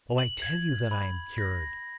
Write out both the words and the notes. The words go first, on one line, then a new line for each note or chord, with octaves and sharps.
Oh, I tell you that I am cured!
F#7
G#6
B5
A#6